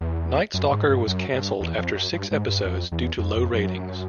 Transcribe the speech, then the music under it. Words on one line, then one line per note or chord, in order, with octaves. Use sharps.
"Night Stalker" was canceled after six episodes due to low ratings.
E2
F#2
G#2
G2
F#2
G2
E2
F2
F#2
G2
G#2
G2
F2
E2
F2
F2
F#2